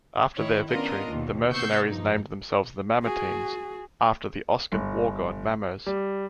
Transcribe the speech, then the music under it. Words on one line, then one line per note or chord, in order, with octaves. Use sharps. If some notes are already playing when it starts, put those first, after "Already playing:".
After their victory, the mercenaries named themselves the Mamertines after the Oscan war-god Mamers.
D#3 E4 C#5
B3 C#4 D4 F4 A#4 D#5
D#2 B2
C3 B3 C#6 E6 G6 C7
G2 F3 D#4
F#4 G#4
G1
G3